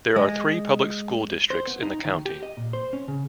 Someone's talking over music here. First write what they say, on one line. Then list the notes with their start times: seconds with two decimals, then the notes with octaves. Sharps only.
There are three public school districts in the county.
0.16 G#3
1.50 C5
1.67 B3
1.82 D#4
2.05 D#3
2.26 G4
2.43 D#5
2.57 A#2
2.73 C5
2.93 C#4
3.08 C#3